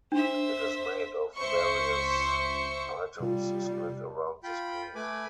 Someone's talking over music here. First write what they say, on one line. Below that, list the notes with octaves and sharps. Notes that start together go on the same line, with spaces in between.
It is made of various items split around the screen.
D4 C5 E5
C#2 C5 E5 C#6
C3 G3 F4
F4 G5 B5
A3 B4 G#5 B5 D6